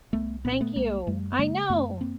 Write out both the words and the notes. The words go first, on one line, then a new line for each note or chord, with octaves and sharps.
Thank you, I know,
C2 A3 B3
A#2 B3
C4
A3 B3
C2 G#3 A#3
F#2 G3 A3
B3
C#3 G#3 A#3
F#2 A3 B3
A#3 C4